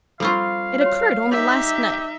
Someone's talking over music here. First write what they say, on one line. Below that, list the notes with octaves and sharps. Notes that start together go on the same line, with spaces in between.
It occurred only last night.
G3 C4 F4 A4 F5 C#6
F#4 C#5
D#4 G4 E5